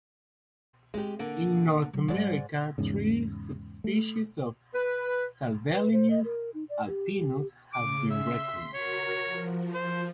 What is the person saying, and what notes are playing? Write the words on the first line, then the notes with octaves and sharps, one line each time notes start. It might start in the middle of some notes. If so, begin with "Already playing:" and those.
In North America, three subspecies of "Salvelinus alpinus" have been recognized.
G#3 C4 G4
D3 A#3
C3 F#3
G#2 G3 D4 D5
E2 G#2 C#3
A3
B4
B4
C5
D#5
A#4
D#4
D5
G4
C#3 D6
E5 C6 B6
F#4 A#4 C#5
F3
C5